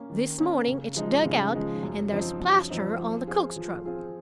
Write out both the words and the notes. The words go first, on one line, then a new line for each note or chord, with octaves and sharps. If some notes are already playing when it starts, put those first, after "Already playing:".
This morning it's dug out, and there's plaster on the cook's trunk.
Already playing: A#3 C#4
D#3
A#3 C#4
C#3
F3 G#3 D#4
C#3
F3 G#3 D#4
F#2
F3 C4 D#4
F#2
F3 C4 D#4
F3
C4 F4 G#4
F3
C4 F4 G#4